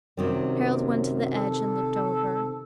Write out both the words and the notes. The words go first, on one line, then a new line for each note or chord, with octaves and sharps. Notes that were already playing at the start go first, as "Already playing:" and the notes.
Harald went to the edge and looked over.
F#2 C3 D#3 G3
A4